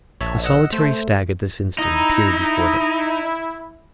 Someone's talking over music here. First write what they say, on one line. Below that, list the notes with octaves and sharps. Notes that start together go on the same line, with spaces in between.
A solitary stag at this instant appeared before them.
A#1 C#5 E5 A5
D#5 F#5 E6
A3 C5
D#4 E4